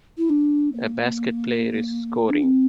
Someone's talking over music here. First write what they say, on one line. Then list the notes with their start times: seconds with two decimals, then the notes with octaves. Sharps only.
A basket player is scoring.
0.17 E4
0.29 D4
0.72 A#3
2.30 D4
2.43 C4